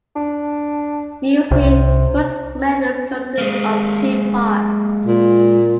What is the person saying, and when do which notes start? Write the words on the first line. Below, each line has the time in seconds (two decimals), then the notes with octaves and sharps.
Usually those methods consist of two parts.
0.16 D4
1.51 C2 C3
3.38 G#3 A#3
5.06 A#2